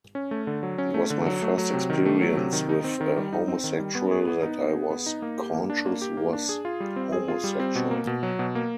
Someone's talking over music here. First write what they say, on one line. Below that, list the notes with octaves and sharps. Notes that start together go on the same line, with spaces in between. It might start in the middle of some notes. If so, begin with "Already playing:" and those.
It was my first experience with a homosexual that I was conscious was homosexual.
C#4
A3
D3
F#3
C#4
A3
D3
F#3
A3
F#3
C3
D#3
A3
F#3
C3
D#3
D#4
C4
D#3
G3
D#4
C4
D#3
G3
B3
G#4
B3
D#4
B3
G#4
B3
D#4
A#3
G4
A#3
D4
A#3
G4
A#3
D4
G#4
F4
G3
C4
G#4
F4
G3
C4
B2
A#3
B2
F#3
B2
A#3